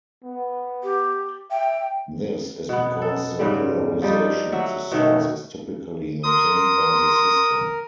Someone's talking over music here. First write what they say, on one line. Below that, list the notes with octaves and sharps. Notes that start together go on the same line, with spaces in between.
This is because the polarization of the source is typically maintained by the system.
B3
G4
E5 G5
B2 B3
A4
G#2 C#3 G3
F3 G3 D#4
F#3 E5 F#5
B2 D#3 A3
A#4 C6 D#6